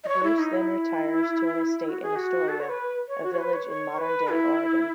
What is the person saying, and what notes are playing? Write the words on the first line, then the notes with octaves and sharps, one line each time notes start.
Bruce then retires to an estate in Astoria, a village in modern-day Oregon.
D#5
C#5
E4
D#4
E4
F#4
G#4
F#4
A4
C#5
B4
C#5
F#4
C#5
B4
C#5
C#5
B4
E4